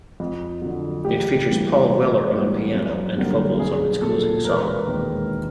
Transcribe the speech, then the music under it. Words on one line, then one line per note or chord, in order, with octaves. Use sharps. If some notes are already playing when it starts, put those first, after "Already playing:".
It features Paul Weller on piano and vocals on its closing song.
F2
D3 F#3
A1 G4
A2 E3 G3 A#3
A1
G#2 E3 G3 A#3
F#2
D3 G3 A#3
B1 G#4
A#2 F3 A4
E1 A#4
B4
A#4
D#2 D#3 G#3